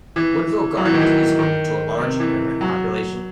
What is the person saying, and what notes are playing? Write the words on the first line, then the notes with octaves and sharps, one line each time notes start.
Woodville Gardens is home to a large immigrant population.
E3
F#3
E3
D#3
E3
D#3
C3
E3
F#3